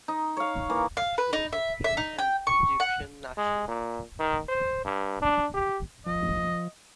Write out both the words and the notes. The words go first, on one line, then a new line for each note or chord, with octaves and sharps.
She is a French and Egyptian national.
D#4
C#5 F5
E3 A#3
F5
B4
D#4
E5
E5
D#4
G5
C#6
F#5
G#3
A#2
D#3
C5
G2
D4
G4
F3 D#5